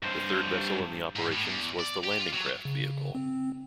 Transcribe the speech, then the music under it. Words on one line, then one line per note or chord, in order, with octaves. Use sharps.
The third vessel in the operations was the Landing Craft Vehicle.
G2 C5
G#2
A2
E2
D5
G4
F4
F#3
C#3
C4